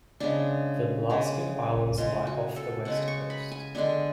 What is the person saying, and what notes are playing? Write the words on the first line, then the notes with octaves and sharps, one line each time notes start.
The Blasket Islands lie off the west coast.
C#3 G#3 B3 D4
C#3 G#3 B3
C#3 G#3 B3 F4
F#4
A4
C#3 G#3 B3 F#5
C#6
B5
G#5
D3 G#3 B3 D4